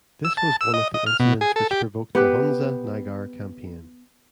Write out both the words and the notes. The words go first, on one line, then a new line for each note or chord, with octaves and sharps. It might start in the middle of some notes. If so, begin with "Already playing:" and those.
This was one of the incidents which provoked the Hunza-Nagar Campaign.
E6
A5
E6
D#5
D#5
F6
B2
G#4
A4
G4
B3 G4 B4